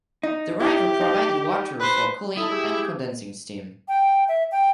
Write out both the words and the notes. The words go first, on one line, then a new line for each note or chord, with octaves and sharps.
The river provided water for cooling and condensing steam.
D#4
E4 G4
D#4
B4 C5
D#4 E4 A4 D#6
G4 G#4 E6
G5
E5
G5